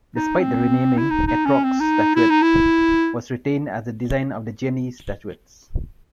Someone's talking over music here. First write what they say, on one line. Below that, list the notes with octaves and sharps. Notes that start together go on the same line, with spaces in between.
Despite the renaming, Etrog's statuette was retained as the design of the Genie statuettes.
D#4
C4
E4
D#4
D#4
C#4
C4
D#4
E4
D#4
E4